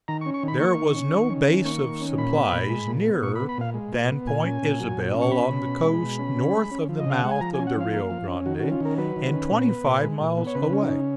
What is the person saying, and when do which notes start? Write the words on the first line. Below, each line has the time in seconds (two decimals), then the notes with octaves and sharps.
There was no base of supplies nearer than Point Isabel, on the coast, north of the mouth of the Rio Grande and twenty-five miles away.
0.08 D#3 A#5
0.21 C#6
0.26 C#4
0.34 C#6
0.43 D#3 B5
0.60 A#3 C#6
0.77 D#3
0.96 C#4
1.13 D#3
1.30 C#4
1.47 D#3
1.65 A#3 C#6
1.83 D#3
2.01 C#4
2.18 A#2 B5
2.35 B3
2.52 A#2
2.70 G#3
2.87 A#2
3.05 B3
3.22 A#2 C#6
3.35 B5
3.40 B3
3.49 B5
3.58 A#2 F5
3.74 G#3
3.92 A#2
4.10 B3
4.27 A#2 G#5
4.44 C#4
4.62 A#2
4.80 F#3
4.97 A#2
5.14 C#4
5.22 C#6
5.31 B2 B5
5.50 C#4
5.66 B2
5.84 G#3
6.02 B2
6.19 C#4
6.37 C#3
6.54 G#3
6.71 C#4
6.89 F3
7.00 D#5
7.06 C#3 F5
7.21 G#3 F#5
7.31 G#5
7.41 F3 A#5
7.54 G#5
7.59 C#4
7.67 F#5
7.77 F3 F5
7.93 A#3
8.11 F3
8.28 C#4
8.46 D#3 F#4
8.59 F#4
8.64 C#4
8.72 F4
8.80 D#3 A#4
8.98 F#3 B4
9.16 D#3
9.33 C#4
9.51 A#2
9.69 B3
9.85 A#2
10.03 G#3
10.21 A#2
10.37 B3
10.47 C#5
10.55 C#3 B4
10.73 C#4
10.82 D#4
10.90 C#3